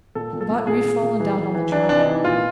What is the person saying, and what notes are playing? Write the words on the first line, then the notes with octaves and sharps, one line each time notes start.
But we've fallen down on the job.
A#2 A4
A#2
A4
A#2
A#2 G#4
A#2
A#2
E3
E3
E3
E3 D4
C3 D4
D#4
E3
A#2 F4